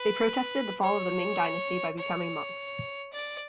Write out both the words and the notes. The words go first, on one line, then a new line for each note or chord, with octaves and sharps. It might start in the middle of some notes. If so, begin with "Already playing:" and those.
They protested the fall of the Ming dynasty by becoming monks.
Already playing: B4
C#5
C#5
D5